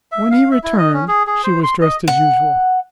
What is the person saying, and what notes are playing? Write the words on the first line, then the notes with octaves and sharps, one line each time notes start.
When he returned she was dressed as usual.
E5
F5
E5
E4
D#5
C#4
G#4
G#4
C5
C6
D#5
F#5